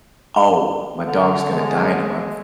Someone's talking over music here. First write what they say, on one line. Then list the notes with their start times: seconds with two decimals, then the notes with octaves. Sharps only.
"Oh, my dog is gonna die in a month."
1.06 D3
1.51 G#3